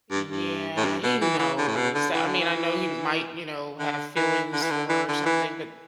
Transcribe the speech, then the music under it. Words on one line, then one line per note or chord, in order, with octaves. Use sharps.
Yeah he knows, I mean, I know he might, you know, have feelings for her or something, but
G2
G2
A2
G2
B2
E3
E3
D3
A2
B2
D3
E3
D3
E3
D3
E3
D3
E3
D3
E3
D3
E3